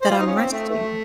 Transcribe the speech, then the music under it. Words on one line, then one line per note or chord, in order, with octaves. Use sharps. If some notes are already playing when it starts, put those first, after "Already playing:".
that I'm resting.
C5
F4
D#4
C#4
C4
A3
A3